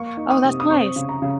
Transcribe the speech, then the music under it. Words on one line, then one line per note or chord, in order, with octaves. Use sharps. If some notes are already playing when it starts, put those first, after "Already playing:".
Oh, that's nice.
Already playing: A#3 C#6
D#4
D#6
C3
D#6
C4 C#6
C#3
A#5
C#3